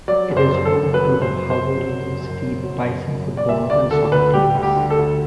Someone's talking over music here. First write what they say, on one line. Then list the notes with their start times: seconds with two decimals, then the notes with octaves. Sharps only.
It is home to the Howard University Bison football and soccer teams.
0.08 F#3 D5
0.30 F#1
0.37 C5
0.50 F#2
0.65 A4
0.73 F#1
0.93 F#3 B4
1.14 F#1
1.22 C5
1.37 F#2
1.50 C5
1.57 F#1
1.78 F#3
1.99 F#1
2.20 F#2
2.42 F#1
2.63 F#3
2.85 F#1
3.06 F#2
3.28 F#1
3.37 D5
3.48 G3 E5
3.70 D2 D5
3.91 D3 A4
4.12 D2 B4
4.34 G3 G4
4.55 D2
4.62 G4
4.76 D3
4.90 A4
4.98 D2